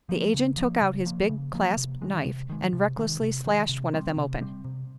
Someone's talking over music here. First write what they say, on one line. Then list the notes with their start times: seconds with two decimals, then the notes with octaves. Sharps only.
The agent took out his big clasp knife and recklessly slashed one of them open.
0.09 F3 A#3
0.34 C#3
0.58 F3 A#3
0.81 C#3
1.06 F3 A#3
1.29 C#3
1.53 F3 A#3
1.77 C3
2.02 D#3 G#3
2.25 C3
2.50 D#3 G#3
2.73 C3
2.97 D#3 G#3
3.21 C3
3.46 D#3 G#3
3.69 C3
3.93 G3 C4
4.17 C3
4.41 G3 C4
4.64 C3